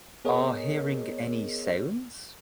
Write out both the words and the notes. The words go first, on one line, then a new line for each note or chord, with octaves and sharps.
Are hearing any sounds?
B3 G#4 A#4 C#5 D#5